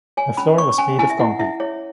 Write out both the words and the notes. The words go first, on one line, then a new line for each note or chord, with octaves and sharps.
The floor was made of concrete.
C#5 G#5
C#4 B5
C#5 C#6
C#4 G#5
E4 G#5
E5
E4 F#5
E4 E5
E4 C#5